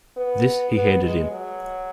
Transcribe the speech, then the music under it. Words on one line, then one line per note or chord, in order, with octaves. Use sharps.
This he handed in.
B3
B3
G#3
F#3